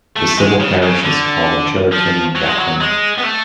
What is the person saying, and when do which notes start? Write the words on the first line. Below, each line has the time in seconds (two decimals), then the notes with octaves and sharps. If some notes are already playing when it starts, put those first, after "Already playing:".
The Civil Parish is called Chillerton and Gatcombe.
0.16 A3
0.38 G#3
0.60 C#3
0.82 C#3
1.04 D3
1.92 F3
2.36 F#3
2.48 G#3
2.58 F#3
2.81 G#3
3.18 B3
3.23 A3